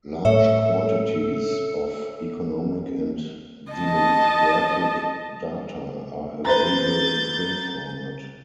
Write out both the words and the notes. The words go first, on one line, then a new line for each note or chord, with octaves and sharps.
Large quantities of economic and demographic data are available in print format.
A2 A4 C#5 E5
D#5 A5
B4 C5 A#5 G6 A6